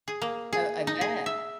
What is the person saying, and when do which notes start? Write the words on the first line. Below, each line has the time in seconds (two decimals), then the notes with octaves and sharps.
Oh, I bet.
0.08 G#4
0.22 A#3
0.53 G#4
0.87 D#4
1.01 G#4
1.26 E5